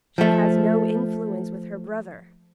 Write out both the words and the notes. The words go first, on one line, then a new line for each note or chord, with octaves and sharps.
"She has no influence with her brother."
F3 A3